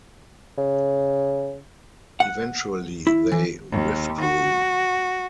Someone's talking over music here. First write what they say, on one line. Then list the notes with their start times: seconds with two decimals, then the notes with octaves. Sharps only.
Eventually they withdrew.
0.58 C#3
2.20 F#5
3.07 E4
3.32 E3
3.71 D#2
4.20 F#4